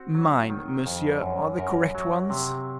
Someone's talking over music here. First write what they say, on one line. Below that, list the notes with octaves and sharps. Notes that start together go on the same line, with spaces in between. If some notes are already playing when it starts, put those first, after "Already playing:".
"Mine, monsieur, are the correct ones."
Already playing: C4 F#4
F#3
D#3
F2
F#2
F#2 A#4
F#3
C3